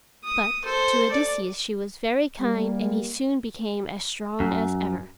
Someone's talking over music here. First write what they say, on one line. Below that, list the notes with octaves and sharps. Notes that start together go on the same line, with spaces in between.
But, to Odysseus she was very kind and he soon became as strong as ever.
D#6
A4 C5
D5
G3 A#3
F#2